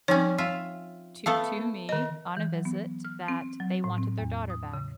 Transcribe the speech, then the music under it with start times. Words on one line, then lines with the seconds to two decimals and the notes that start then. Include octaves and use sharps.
to to me on a visit that they wanted their daughter back.
0.08 F3 G3 C4 C#4 D#4 C#5
0.38 F4 E5
1.26 A3 B3 A4 F5
1.89 D#3 D#5
2.37 E3
2.53 F#3
2.65 B3
3.04 F6
3.28 C4
3.60 F#3
3.84 A2
3.98 C4
4.18 E2
4.50 D#6
4.74 C#3